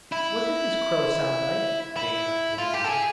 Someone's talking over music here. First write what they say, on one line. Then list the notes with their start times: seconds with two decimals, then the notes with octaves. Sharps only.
"What did his crow sound like?" Jane asked one evening.
0.12 E4
1.96 E4
2.58 F4
2.74 G4
2.84 A4
2.89 G#4